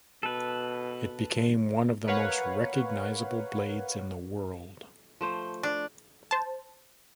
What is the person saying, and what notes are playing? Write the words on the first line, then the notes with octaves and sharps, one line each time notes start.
It became one of the most recognizable blades in the world.
B2 A4 B4
A#4 B4 C#5 F5 F#5
F3 A3 C5
D4
C5 A5